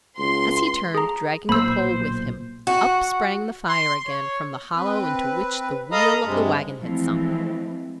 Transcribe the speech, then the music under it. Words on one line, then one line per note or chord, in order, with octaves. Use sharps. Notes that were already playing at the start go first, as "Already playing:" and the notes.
As he turned, dragging the pole with him, up sprang the fire again from the hollow into which the wheel of the wagon had sunk.
C#2 C6
G#4 A#5
B1 A#2 A#3 C5 B5 E6
F#4
C6
C#5
C4 B4
A4 D#5 F5 A#5 B5 D#6
G2 C3 G#3
E3 F3 G#3 A3 C4